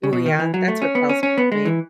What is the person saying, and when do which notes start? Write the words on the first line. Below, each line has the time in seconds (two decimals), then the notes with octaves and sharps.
Ooh yeah, that's what tells me.
0.04 C#3
0.13 B2
0.26 D#3
0.40 E3
0.54 F#3
0.68 A3
0.82 C#4
0.95 B3
1.09 C#4
1.23 C#4
1.38 B3
1.52 G#3
1.65 E3